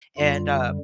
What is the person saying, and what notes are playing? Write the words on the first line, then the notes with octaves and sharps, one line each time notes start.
and uh,
F#2 D3 G3 F4